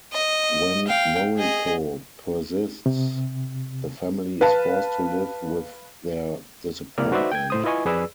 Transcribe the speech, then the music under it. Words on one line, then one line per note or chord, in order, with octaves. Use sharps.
When Noriko persists the family is forced to live with their disappointment.
D#5
F5 G5
G#4 D#5
C3
B4 F5 A5
C#2 C3 A#3 E4 D5 F6
D#4 F#4 B4 C5 D5 E5
G5 G6 G#6
A2 C5 D#6
E4 F4 B4 D#5 G#5 C#6
F2 G#4 B4 D5 E6